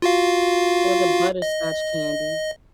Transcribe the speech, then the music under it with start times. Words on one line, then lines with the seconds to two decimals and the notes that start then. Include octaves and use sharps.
Or the butterscotch candy.
0.02 F4 F#4 F5
1.42 D#5